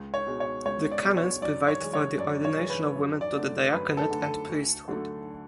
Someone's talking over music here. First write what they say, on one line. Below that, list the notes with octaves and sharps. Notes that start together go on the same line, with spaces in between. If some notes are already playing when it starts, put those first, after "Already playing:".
The canons provide for the ordination of women to the diaconate and priesthood.
Already playing: C#2
C#5
B2 G#3
C#5
C#2 C#5
D5
B2 G#3
C#5
F#2 D5
C#5
E3 G#3
C#5
F#2 D5
C#5
E3 G#3
B4
F#2
D5
D3 A3
F#2 B4
A4
D3 A3
A4
D2
D3 F#3 A3